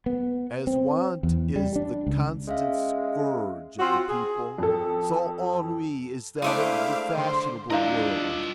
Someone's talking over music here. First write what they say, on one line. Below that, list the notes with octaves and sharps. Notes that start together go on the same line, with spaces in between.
As want is the constant scourge of the people, so ennui is that of the fashionable world.
B3
C4
E2
G3
D4
C#2
G#3 C#4 E5 F5
C4 F4 F#4
G#4
F2 A4
G#3 A3 D4 E4 C5 E5 F5 D6
D3 C5 C6
D4 E4 F4 A#4 D#5 F5